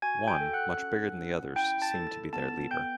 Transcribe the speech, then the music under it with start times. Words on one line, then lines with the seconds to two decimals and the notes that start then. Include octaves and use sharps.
One, much bigger than the others, seemed to be their leader.
0.02 F#4 G#5 G#6
0.28 G5 G6
0.41 A4
0.53 F#5 F#6
0.79 C#4
1.17 C#4
1.55 E4 G5 G6
1.82 A5 A6
1.94 A4
2.33 B3 A5 A6
2.71 B3 G5 G6